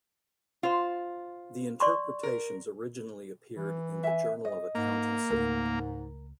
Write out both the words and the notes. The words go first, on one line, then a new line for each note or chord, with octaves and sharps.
The Interpretations originally appeared in the "Journal of Accountancy".
F4 C5
D5 C6 C#6
A#4
E3
E5 G#5
D#5
G#2 A#3
C#2 G#2 A3 A#4